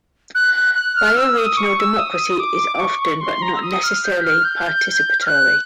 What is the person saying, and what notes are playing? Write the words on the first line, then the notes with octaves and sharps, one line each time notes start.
Bioregional democracy is often but not necessarily participatory.
F#6
F#6
F#6
F6
E6
D#6
C#6
E6
D#6
D6
C#6
C#6
C6
A#5
E6
D#6
F6
G6
F6
G6
F6
F#6